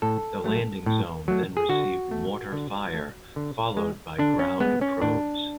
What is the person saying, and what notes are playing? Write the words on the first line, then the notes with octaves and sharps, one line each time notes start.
The landing zone then received mortar fire followed by ground probes.
A2 A4
F#3 A3
A2
F#3 A3
G#4
D3 F#4
A3
D3
A3
D3
G#3
D3 D4
C#4
G#3 B3
C#4
A2 D4